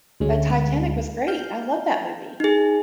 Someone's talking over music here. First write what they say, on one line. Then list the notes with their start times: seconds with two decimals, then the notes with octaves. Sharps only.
The Titanic was great, I love that movie.
0.20 D2 G#3 C#4
1.28 F5 G6
2.40 D#4 G#4